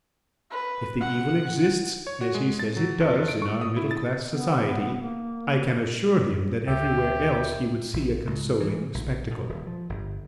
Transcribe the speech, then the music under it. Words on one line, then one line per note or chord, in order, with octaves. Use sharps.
If the evil exists, as he says it does, in our middle-class society, I can assure him that everywhere else he would see a consoling spectacle.
B4
F#5
C#5
F#4
G#3
A6
F#3
F2
D7
C#6
D#6
E4
A6
B3
A#3
D2 G4 E5
A#1
C#2
E3
A#1
B2
D#1
F3
G1